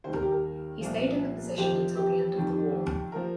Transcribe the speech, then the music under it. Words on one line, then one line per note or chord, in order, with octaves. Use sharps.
He stayed in the position until the end of the war.
D#2 D#3 G3 C5
A#4
G4
A#4
C2 A#2 F3
F2 C3 F3 G4 C5
G4
F2 D#3 G3
F3 A#4